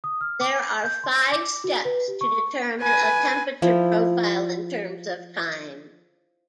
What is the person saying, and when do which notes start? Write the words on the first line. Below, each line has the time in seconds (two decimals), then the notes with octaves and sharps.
There are five steps to determine a temperature profile in terms of time.
0.04 D#6
0.21 F6
0.41 D6
0.84 G6
1.04 C6
1.32 D6
1.64 F#4
1.85 B4
2.08 G4
2.21 C#6
2.82 B4 G#5
3.62 F3 E4